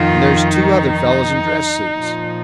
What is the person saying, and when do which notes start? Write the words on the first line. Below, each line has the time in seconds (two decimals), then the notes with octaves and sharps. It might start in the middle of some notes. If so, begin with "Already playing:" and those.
And there's two other fellows in dress suits.
Already playing: F2 D#3 F4
0.54 D#4
1.99 A#2 F3